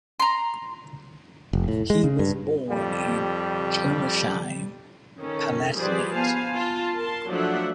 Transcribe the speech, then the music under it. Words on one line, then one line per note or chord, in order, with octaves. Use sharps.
He was born in Germersheim, Palatinate.
A#5 C6
F1
A2
G#3
C#3
G2
F2 G3 G4
D#3 C#4 A4
F3 G3 G#4 B4 C5 D5
B3 C5 F5 G#5 A5
F4 A5
A#4 A5 C6
F3 F#3 A3 D4 E5 F#5